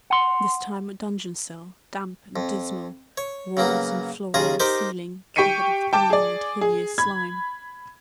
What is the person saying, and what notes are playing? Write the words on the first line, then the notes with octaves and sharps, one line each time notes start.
This time a dungeon-cell, damp and dismal; walls, and floor, and ceiling covered with green and hideous slime.
F#5 C6
F2
C#5
C#3 F#3 A#3 B3
D#2 C#3 F4 G#4 G#5 A#5
D#4 G4 A#4 C5 C6 D6
G4 G5 C#6 B6 C#7 D#7
G5 A5 D6
G#4 D5
G#4
B5 G#6